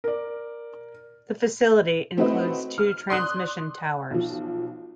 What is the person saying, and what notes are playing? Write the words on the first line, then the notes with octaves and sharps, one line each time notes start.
The facility includes two transmission towers.
A#4 D5
A3 C4 E4 F#4 B4 D#5
F6
D5 C6 D#6 F#6
B1 F3